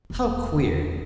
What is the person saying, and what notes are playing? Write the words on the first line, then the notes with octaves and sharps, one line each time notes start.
How queer!
E1